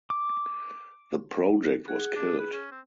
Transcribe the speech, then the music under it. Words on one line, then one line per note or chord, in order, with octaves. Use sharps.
The project was killed.
D6
G#4 F#5
D4
B4
C#4
C4